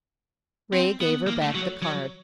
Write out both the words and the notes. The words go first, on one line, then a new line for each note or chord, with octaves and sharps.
Ray gave her back the card.
C4
B3
A#3
A3
F#3
F#3